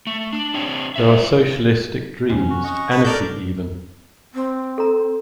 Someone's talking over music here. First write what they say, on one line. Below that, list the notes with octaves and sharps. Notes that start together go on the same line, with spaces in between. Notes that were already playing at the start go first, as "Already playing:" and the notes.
There are socialistic dreams — anarchy even!
A3
D4
C4 D4 D#4 G4 C5 C#5
E4 C5 E5
E2 C3 C#4
F#4
D#5 F#5 C#6
B4
A4 A#4 D5 E6 F6 G6
C4
A4 A#5